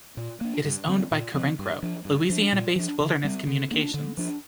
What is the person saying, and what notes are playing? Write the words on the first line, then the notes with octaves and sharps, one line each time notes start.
It is owned by Carencro, Louisiana-based Wilderness Communications.
A#2
A#3 D4
G2
D3 F3 C4
A#2
F3 C4
G2
F3 D4
G2
F3 D4
A#2
F3 D4
D3
G3 C4
D3
A#3 D4
D3
F3 D4